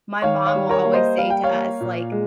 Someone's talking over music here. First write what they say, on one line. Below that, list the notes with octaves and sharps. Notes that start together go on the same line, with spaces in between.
my mom will always say to us, like
D#3 C#5 F5
C#5 F5
G3
A#4 C#5
A#3
C5 D#5
G3 F5
G5
C#5 F5
A#3
A#2
G#3